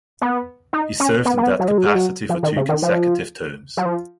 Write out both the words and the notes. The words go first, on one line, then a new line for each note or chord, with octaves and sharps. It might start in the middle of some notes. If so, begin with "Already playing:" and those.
He served in that capacity for two consecutive terms.
B3
D#4
C#4
B3
A#3
B3
F#3
G#3
F#3
G#3
F#3
F3
D#3
C#3
D#3
F3
F#3
F3